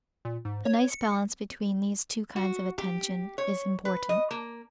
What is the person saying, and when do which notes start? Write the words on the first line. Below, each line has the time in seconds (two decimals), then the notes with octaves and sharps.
A nice balance between these two kinds of attention is important.
0.25 A#2
0.45 G#2
0.65 C#5
0.90 C#7
2.36 F#4
2.78 G4
3.38 C#5
3.85 B4
4.09 D#5
4.31 A#3